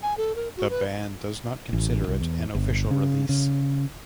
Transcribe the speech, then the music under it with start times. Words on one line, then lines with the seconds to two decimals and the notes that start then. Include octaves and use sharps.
The band does not consider it an official release.
0.03 G#5
0.17 A4
0.35 A#4
0.57 F#4
0.70 B4
1.73 A1
2.08 C2
2.20 E2
2.55 G1
2.91 C#3
3.29 C#3